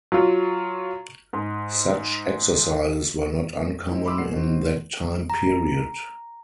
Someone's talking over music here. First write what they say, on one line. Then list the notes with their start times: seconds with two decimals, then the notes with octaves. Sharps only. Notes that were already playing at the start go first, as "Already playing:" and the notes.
Such exercises were not uncommon in that time period.
0.12 F#3 F4
1.33 G#2
3.88 D#4 E4 C5
4.05 E5 B5 C6 D6 E6
4.18 A#1 D5 F#5 C7
4.31 B2 D#3 C4
5.30 A#5